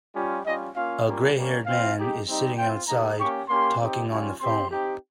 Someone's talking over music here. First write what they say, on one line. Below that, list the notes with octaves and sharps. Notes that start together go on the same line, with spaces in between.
A grayhaired man is sitting outside talking on the phone.
G3 C#4 F4
G3 C#4 F4 D#5
A#3 C#4 F4 F5
G3 A#3 C#4 F4
G3 A#3 C#4
C4 F4 F5
G#3 D#4 G4
G3 C4 D#4 G4
C4 F4 G5
A#3 D#4 G4 A#5
A#3 C#4 G4 C#6
A#3 C#4 G4 C6
C4 D#4 G4
G3 C#4 F4
C4 G4 C6
C4 D#4 G4